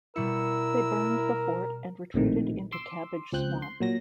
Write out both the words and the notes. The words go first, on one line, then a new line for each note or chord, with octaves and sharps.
They burned the fort and retreated into Cabbage Swamp.
B2 G3 E4 A#4 E6 C#7
A#1 A2 C3 D#3
C6 D6 E6
C#2 F3 C4 F#6 G6
C6
A#2 F#3 A#6